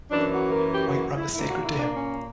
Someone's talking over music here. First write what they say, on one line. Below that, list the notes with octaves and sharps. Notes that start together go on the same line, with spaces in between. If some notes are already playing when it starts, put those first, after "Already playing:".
White rum is sacred to him.
F#2 E3 A#3 D4
F#4
A#4
G4
F#4
F#4
E4
A#2 A#3 E4
F#4
E4
D4
C#4